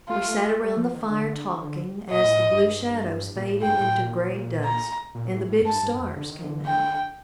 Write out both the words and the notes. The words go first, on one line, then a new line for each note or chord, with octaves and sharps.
We sat around the fire talking as the blue shadows faded into gray dusk and the big stars came out.
A3 F4
G3
F3
D#3
D3
A#2 D#5
A2
A2
G2
A#2
A2
G2 G5
A2
A#2
A#5
A#2
A2
A2
F2
G2 A5
G2
G2
F2
D3
D#3
D3
G5